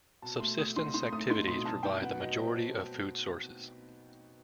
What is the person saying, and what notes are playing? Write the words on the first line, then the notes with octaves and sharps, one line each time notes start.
Subsistence activities provide the majority of food sources.
B2 A5
A3 C6
A3 D#6
D#4 C6
D#4 C6
A3 D#6
D#4 C6
B2 C6
F#3 A5
D#4 G5
B3 F#5
F#3 D#5
F#3 C5